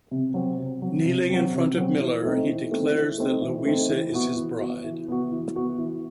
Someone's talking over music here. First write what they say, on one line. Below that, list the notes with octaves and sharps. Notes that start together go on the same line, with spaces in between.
Kneeling in front of Miller he declares that Luisa is his bride.
C3
F#3 C4
C3
F#3 C4
C3
F#3 C4
C3
F#3 C4
E3
A3 C4 D#4
E3
A3 C4 D#4
E3
A3 C4 D#4
E3
A3 C4 D#4
E3
B3 F#4
E3
B3 F#4
E3
B3 F#4
E3
B3 F#4
E3